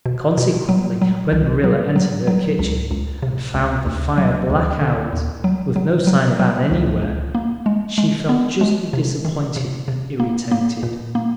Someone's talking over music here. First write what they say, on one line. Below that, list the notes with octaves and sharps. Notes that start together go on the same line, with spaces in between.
Consequently, when Marilla entered her kitchen and found the fire black out, with no sign of Anne anywhere, she felt justly disappointed and irritated.
B2
B2
F#3
F#3
C2
F#3
F#3
F#3
C#2
C#2
C3
C#2
D2
F#3
D2
D3
D#2
F#3
F#3
F#3
F#3
C#2
C#2
A#3
G#3
G#3
B3
G#3
C3
D#3
C3
C3
A#3
A#3
A#2
A#3